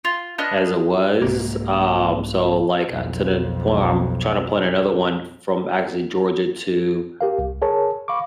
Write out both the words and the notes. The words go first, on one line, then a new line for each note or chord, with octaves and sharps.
as it was. Um, so like, uh, to the point I'm trying to plan another one from actually Georgia to,
F4
B3 D4 D#5 F6
C2 G#2 A#3
B1 F2
G4 A#4 F5
C2
G#4 A#4 C#5 A5
F5 B5 C#6 D6